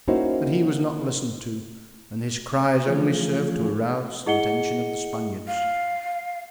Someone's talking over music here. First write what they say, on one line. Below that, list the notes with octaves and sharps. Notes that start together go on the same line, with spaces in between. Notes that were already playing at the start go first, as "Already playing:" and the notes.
But he was not listened to, and his cries only served to arouse the attention of the Spaniards.
A#3 C#4 D#4 E4 F#4 C5
E3 F3 A3 C#4 F4 G#4
E4 G#4 D#5 F#5 C#7 G7
F5